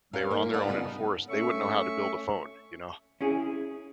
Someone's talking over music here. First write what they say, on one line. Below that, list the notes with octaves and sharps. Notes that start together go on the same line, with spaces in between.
they were on their own in a forest, they wouldn't know how to build a phone, you know?
G3 C#4 A#4 F5
G#2 A#3
D4 D#4 F4 B4 D5 F#5
C#3 G3 B3 D#4
A3 C#4 E5 C#6
C#4 E4 G#4